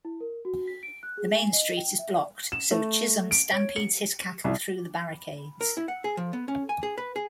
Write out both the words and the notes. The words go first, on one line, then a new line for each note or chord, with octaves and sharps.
The main street is blocked, so Chisum stampedes his cattle through the barricades.
E4
A#4
F#4
B6
D7
F#6
G#4
G#5
D#5
G5
E5
D5
E7
A3
D7
C#5
C#7
C2
A#4
E4
F#5
G#4
F3
B3
C#4
G#5
G#4
B4
G#4